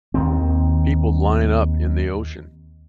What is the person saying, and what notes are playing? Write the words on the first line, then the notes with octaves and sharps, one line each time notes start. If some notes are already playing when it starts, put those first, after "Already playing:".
People line up in the ocean.
D#2 D#3 C4